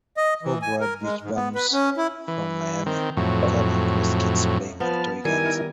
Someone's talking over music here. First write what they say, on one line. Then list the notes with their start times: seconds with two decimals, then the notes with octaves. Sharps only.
Four bored beach bums from Miami come across kids playing with toy guns.
0.17 D#5
0.43 E3
0.62 G#5
0.80 A#4
1.02 G#3
1.21 G#2
1.36 B3
1.55 B4
1.73 C#4
1.97 E4
2.28 E3
2.86 D#3 C4
3.17 F2 A2 F#3
4.80 F3 B3 B4 A5 F6
5.25 D#3 G3 E4 A#4 G#5